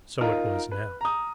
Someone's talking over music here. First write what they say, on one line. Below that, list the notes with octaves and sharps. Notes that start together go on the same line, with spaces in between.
So it was now.
D#4 F4 A#4
B4
A#5 D#6